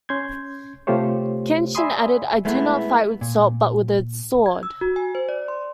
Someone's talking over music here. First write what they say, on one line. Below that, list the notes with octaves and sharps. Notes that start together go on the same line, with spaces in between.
Kenshin added, "I do not fight with salt, but with the sword".
C#4 C6 G6 G#6
C3 A3 F4 G4 C5 C#5
D5 E5 G#5 B5 C6 D#6
G#3 A3 B3 E4
A#2
G#6
E6
F#4
G#5
C5
D5
C6